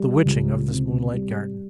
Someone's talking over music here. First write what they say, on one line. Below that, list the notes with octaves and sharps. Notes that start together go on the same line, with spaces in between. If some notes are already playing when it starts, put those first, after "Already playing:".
The witching of this moonlit garden!
Already playing: G3
C#2
C3
G3